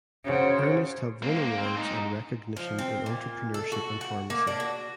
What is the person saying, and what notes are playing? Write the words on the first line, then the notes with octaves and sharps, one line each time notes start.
Ernest have won awards and recognition in entrepreneurship and pharmacy.
C#3 C#4 F#4 C5
A#3 C4
A#3
C4
G#2 D#4
F3
C4
A#2
A4
F#4
F#5
A#3
D4
F#4